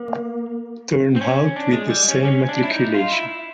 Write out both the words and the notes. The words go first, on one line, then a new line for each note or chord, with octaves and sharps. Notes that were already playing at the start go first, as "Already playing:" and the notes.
Turnhout with the same matriculation.
Already playing: A#3
C4
C#4
D4
G#3
G3
C#4
C#4
D4
E4
D#4
F4
E4